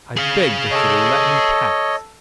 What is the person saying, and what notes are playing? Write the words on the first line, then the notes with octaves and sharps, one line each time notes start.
"I beg that you will let me pass."
G#4 F5
A4 C#5 D#5